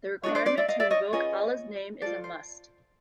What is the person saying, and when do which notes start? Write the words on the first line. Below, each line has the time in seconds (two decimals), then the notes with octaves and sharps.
The requirement to invoke Allah's name is a must.
0.23 D4 F#4 A4 C#5 D#5
0.35 C5 D5
0.46 C5 D5
0.57 D5 E5
0.68 D#5 F5
0.80 D5 E5
0.90 C#5 D#5
1.13 C#4 F4 G#4 B4 C#5 D#5
2.02 F4 A4 C5 D5
2.24 C5